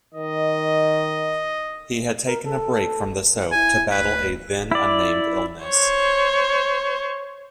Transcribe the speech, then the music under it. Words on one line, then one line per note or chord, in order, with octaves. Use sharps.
He had taken a break from the soap to battle a then unnamed illness.
D#3 D#5
A#4
A4
E4 G#5
D2 B4
E4 D5
C5 C#5